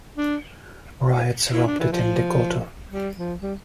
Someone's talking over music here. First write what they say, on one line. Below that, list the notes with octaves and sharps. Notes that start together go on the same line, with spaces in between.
Riots erupted in Decoto.
D4
E4
D4
E3
F3
G3
F3
G3